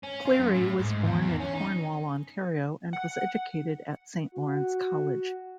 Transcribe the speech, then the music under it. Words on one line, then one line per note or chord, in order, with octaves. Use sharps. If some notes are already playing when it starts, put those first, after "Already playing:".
Cleary was born in Cornwall, Ontario, and was educated at Saint Lawrence College.
C#4
F4
F#2
A2
G#2
E2
E2
C#4
D#4
F#5
F#4